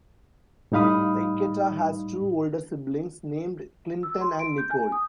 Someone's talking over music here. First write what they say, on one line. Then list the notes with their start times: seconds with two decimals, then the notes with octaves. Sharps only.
Siketa has two older siblings named Clinton and Nicole.
0.72 A2 G3 D#4 F5 B5 D#6
4.03 E6
4.21 C6
4.39 D7
4.58 G6
4.71 G#5
4.92 D#6